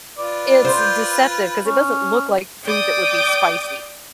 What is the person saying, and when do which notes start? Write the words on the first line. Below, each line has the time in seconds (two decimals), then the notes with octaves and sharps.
it's, eh, deceptive 'cause it doesn't look like food that would be spicy;
0.18 F4 B4 D5
0.65 C5
1.66 C#4
2.65 D5 G5 D6 D#6